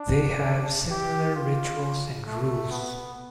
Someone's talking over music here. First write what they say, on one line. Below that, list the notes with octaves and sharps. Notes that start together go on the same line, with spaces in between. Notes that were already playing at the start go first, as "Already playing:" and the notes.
They have similar rituals and rules.
Already playing: D4
G4
F4
A3
B3